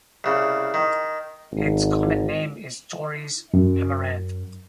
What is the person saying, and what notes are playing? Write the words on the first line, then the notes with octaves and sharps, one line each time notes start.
Its common name is Torrey's Amaranth.
C2 C#3
D#3
G#1
F#2